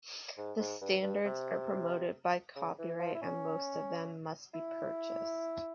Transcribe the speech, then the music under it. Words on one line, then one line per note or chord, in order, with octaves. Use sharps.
The standards are protected by copyright and most of them must be purchased.
G#2
G#2
G2
G2
C3
C#3
E3
F3
E4
C#4
E4